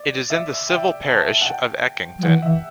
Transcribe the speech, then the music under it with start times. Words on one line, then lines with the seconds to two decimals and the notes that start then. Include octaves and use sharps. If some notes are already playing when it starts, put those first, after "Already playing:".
It is in the civil parish of Eckington.
Already playing: D5
0.30 E5
0.69 G5
1.08 A5
1.41 F#5
1.46 G5
2.18 F#3
2.23 E3 F#5
2.42 E3 E5